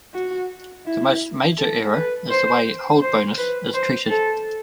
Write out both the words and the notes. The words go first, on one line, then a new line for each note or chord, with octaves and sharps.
The most major error is the way Hold Bonus is treated.
F#4
E4
A4
B4
C5
C5
B4
C5
A4